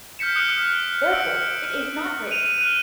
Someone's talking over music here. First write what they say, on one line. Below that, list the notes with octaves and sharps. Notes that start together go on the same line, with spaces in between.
Therefore it is not written.
F6 G6 B6 C#7 E7
D#6 F6 F#6 D7
E6 D7
F#6
D#7 F7
F6 F#6 D#7